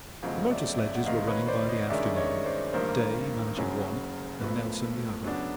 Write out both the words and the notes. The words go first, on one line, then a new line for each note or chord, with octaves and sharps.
The motor sledges were running by the afternoon, Day managing one and Nelson the other.
G1 F2 C#3 F#3 A3 D#5 F5
D5 E5
D5 E5
F#5
D2 C3 D#3 D#5 F5
B4 C#5
C5 D5
C#5 D#5
G2 D#3 G#3 C#4 D5 E5
C#5 D#5
C5 D5
A1 G2 D#3 G3 A#3 A#4 C5
F#1 F#2 C#3 F#3
B1 A2 F3 A3 B4
F#2 C#3 F#3 B3 D4